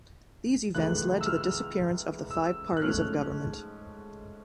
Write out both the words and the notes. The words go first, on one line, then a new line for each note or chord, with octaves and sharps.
These events led to the disappearance of the five parties of government.
C#2 C#3 E3 A3 F#6
E6
F6
E6
F#6
G#2 F3 A3 C#4 F6